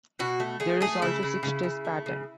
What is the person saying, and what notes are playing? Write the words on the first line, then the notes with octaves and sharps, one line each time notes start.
There is also six-stress pattern.
B2 F#4
A3
A3 G#4
A3 G#4
C#3 E4
C#3
C#3
C#3
A3
C#3